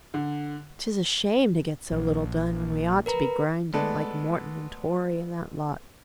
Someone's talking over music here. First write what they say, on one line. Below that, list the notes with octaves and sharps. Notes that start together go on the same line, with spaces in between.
'Tis a shame to get so little done, when we ought to be grinding like Morton and Torry and that lot.
D3
A#1
A#4 B4 A#5
G#3 A3 B3 A4 B4 D5